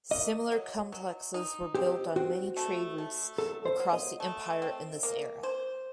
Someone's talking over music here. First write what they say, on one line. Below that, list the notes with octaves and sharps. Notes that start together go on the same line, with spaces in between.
Similar complexes were built on many trade routes across the empire in this era.
A#3 D#5
F#3
F#3
D#4
C4 G4
C4 F#4
A3
A3
F#3 A4
C5
F#3
D#5
A3
C4
A#3
C5